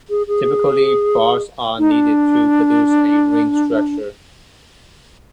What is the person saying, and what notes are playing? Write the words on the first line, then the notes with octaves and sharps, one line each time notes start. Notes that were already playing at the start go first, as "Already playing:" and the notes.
Typically, bars are needed to produce a ring structure.
G#4
G#4
D#4
D4